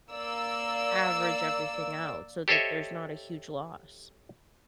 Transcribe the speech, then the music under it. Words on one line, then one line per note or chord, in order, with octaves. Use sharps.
average everything out so that there's not a huge loss.
A#3 D5 E6
G4 A4 C5 C#5 D#5 E5